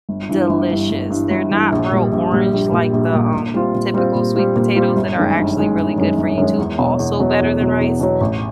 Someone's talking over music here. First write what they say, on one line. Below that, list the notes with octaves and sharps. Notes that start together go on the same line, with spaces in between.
delicious. They're not real orange like the, um, typical sweet potatoes that are actually really good for you too, also better than rice,
G1
G2 E3
G1
G2 E3
G1
G2 E3
G1
G2 E3
A#1
A#2 G3
A#1
A#2 G3
A#1
A#2 G3
A#1
A#2 G3
A#2
G3 C4 F4
A#2
G3 C4 F4
A#2
G3 C4 F4
A#2
G3 C4 F4
G1
F#2 D#3 G#3
G1
F#2 D#3 G#3
G1
F#2 D#3 G#3
G1
F#2 D#3 G#3
E2
B2 F#3
E2
B2 F#3
E2
B2 F#3
E2
B2 F#3
A1